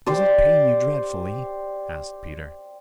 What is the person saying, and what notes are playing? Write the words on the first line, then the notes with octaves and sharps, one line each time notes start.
"Does it pain you dreadfully?" asked Peter.
G4 C5 D5